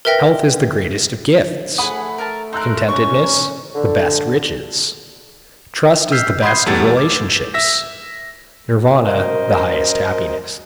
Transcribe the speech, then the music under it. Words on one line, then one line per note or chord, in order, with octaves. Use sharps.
Health is the greatest of gifts, contentedness the best riches; trust is the best of relationships, Nirvana the highest happiness.
A#4 B4 E5 G5 A#6
A3 G#4 F#5 B5 D#6
A#4 A5
D#4 A#4 C6 E6 F#6
C#4 C#6
D3
E6 F6 G6 B6 C7
B5 C6 D#6 G6 G#6 C7
E2 G3 A3 F#5 A6
D6
E5 E6 A#6 B6
F#2 A#4 C5 D#5